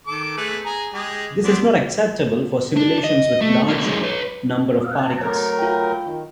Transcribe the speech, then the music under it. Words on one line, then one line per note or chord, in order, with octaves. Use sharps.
This is not acceptable for simulations with large number of particles.
D#3 A4 D6
A3 G#4 B4
G#4 G#5 A#5
G#3 G4 G#4
B3 C4 D4
D4
D#5
A3
B2 D3
F#2 G#3
B4 C#5
F#3 A3 A#4
F4 G5
D#3